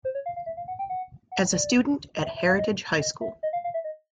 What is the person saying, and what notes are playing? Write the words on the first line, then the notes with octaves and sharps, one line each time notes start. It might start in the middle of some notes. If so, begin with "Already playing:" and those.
As a student at Heritage High School.
C5
C#5
F5
F5
E5
F5
F#5
G5
F#5
F#5
D5
D#5
E5
E5
F5
D#5
D#5
E5
D#5
F5
F5
E5
D#5